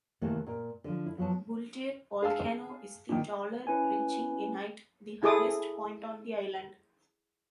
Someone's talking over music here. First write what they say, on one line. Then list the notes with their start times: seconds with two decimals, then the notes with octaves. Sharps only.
Buldir Volcano is the taller, reaching in height, the highest point on the island.
0.21 D#2 C3 E3 A3 A#3 A4
0.47 A#2 A#4
0.84 D3 F3
1.06 E4
1.18 F3 F#3 B3 A5
2.22 G#4 F5 A5 E6
3.09 A#2 D#3
3.67 C#4 E4 B4 G#5
5.23 E4 G#4 A4 D6 D#6